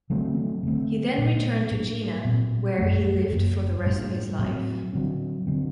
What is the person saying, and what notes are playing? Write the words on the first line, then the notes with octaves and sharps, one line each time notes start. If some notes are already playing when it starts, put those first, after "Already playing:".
He then returned to Jena where he lived for the rest of his life.
D3 F#3 A3 C4
D3 F#3 A3 C4
A#2 F#3 A3
A2 F#3 A#3 D4
A#2 F#3 C4
F#2 F#3 A3
F#2 F#3 A#3
A2 G3 A#3 D4
A2 F#3 C4
D3 F#3 C4
D3 F#3 C4